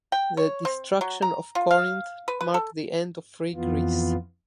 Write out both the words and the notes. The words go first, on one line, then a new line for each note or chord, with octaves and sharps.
The destruction of Corinth marked the end of free Greece.
G5
C#5
C4
F#3
A#5
F4
F5
B4
B4
A4
F2 E3 B3 F4